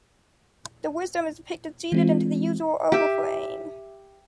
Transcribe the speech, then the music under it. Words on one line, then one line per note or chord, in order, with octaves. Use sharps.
The “Wisdom” is depicted seated into the usual oval frame.
E3 G#3 C4 F4
G4 E5